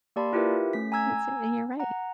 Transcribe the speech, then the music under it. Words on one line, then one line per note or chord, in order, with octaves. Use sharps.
that's it, and you're right.
A#3 G4 D5 A5 B5 C6
E4 F4 G4 A#4 B4 E5
A3 C#4 B6
G#5 A#5 E6 G#6
F#5 A#5